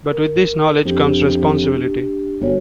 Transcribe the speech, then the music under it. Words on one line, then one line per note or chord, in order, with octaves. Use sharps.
But with this knowledge comes responsibility.
A#4
F2 D4 G4
G1 F#4 C#5